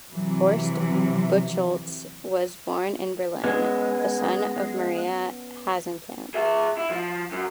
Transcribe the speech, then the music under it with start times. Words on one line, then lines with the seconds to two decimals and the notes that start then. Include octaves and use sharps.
Horst Buchholz was born in Berlin, the son of Maria Hasenkamp.
0.12 C3 E3 F#3
3.44 G#3 B3 C#4
6.34 G#4 E5
6.77 E4
6.90 F3
7.32 F#2